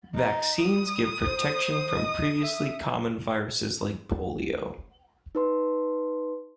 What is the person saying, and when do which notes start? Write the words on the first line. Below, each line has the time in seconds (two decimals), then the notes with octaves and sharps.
Vaccines give protection from previously common viruses like Polio.
0.15 D#4
0.61 G3 D#6
1.27 C5
1.98 D#5
2.43 E5
5.35 D#4 B4 C6